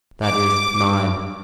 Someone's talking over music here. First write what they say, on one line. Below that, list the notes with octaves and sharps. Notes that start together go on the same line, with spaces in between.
That is, mine.
D6